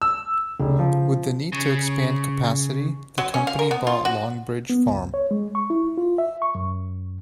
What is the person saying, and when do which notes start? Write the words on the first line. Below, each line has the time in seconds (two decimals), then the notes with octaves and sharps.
With the need to expand capacity, the company bought Longbridge farm.
0.02 E6
0.60 F1 C#3
0.79 F3
1.52 C#3
3.18 F#3
3.34 C#4
3.47 F5
3.59 A#4
3.71 B3
3.87 F4
4.05 F#4
4.70 B3
4.87 C#2
5.14 C#5
5.31 G#3
5.55 C#6
5.70 E4
5.98 F4
6.18 E5
6.42 C#6
6.55 F#2